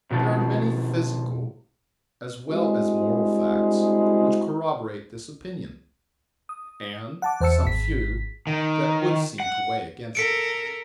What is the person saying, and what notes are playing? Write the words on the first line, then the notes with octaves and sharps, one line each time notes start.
There are many physical as well as moral facts which corroborate this opinion, and some few that would seem to weigh against it.
D#2 B2 F3
G3 G#3 C4 D4 E4 F#4
D#6
F#5 A5 D6
E2 C5 F#5 A5 E6 C#7
G#1 B6
D#3
F#5
A4 A#4 B6 C#7 D7